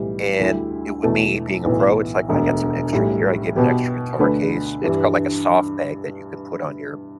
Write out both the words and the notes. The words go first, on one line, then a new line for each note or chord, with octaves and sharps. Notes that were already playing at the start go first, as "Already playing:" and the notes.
and it would me, being a pro, it's like, I got some extra gear. I gave him an extra guitar case. It's called like a soft bag that you can put on your
Already playing: B1 A2 E3 G3
D2 D3 G3 E4 G4
E2 B2 A3 E4 A4
B1 A2 E3 B3
E1 D2 D3
B1 A2 G3
B2 B3 G4
D2 D3 A3 D4 B4
G2 E3 G3